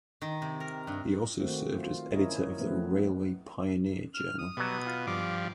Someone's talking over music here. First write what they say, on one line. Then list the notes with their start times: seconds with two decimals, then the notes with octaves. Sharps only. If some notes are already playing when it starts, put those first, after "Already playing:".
He also served as editor of "The Railway Pioneer" journal.
0.22 D#3
0.42 C3
0.60 A#4
0.87 G2
1.39 D#3 A3 A#3 C4 F#4
1.77 F4
2.13 C#4 E4 A#4 C#5 D#5
2.59 F3 A3 B3 C4 B4
4.14 F6
4.39 D#6
4.57 B2 F#3 G3
4.87 F4
5.07 G2 F3 D6